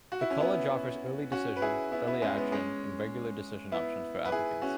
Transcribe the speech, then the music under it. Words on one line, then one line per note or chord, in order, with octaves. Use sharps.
The College offers Early Decision, Early Action and Regular Decision options for applicants.
F#4
E4
C#4
B3 E4
C#4 F#4
B4
E4 G#4
B3 E4
B3 E4
G#3 C#4
B3
G#3 C#4
B3 E4
B4
E4 G#4
C#4 F#4